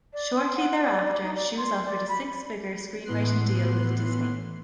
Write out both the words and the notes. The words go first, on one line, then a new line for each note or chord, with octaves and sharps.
Shortly thereafter, she was offered a six-figure screenwriting deal with Disney.
D5
C6
F#5
D5
D#4
D5
C6
D5
B5
A2 E3 B3 C6 F#6 C7